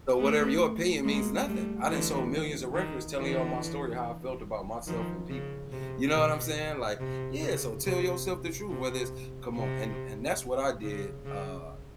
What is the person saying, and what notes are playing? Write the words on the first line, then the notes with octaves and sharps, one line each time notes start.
So whatever your opinion means nothing, I done sold millions of records telling you all my story, how I felt about myself and people." You know what I'm saying? Like, yeah, so tell yourself the truth, whether it's come on, and and that's what I did, uh,
A3 B3
G#3 A#3
G3 A3
D3 E3
D#3
D3 E3
D#3 F3
C#3
C3
B2
C3
C#3
C3
C3
C3
C#3
C#3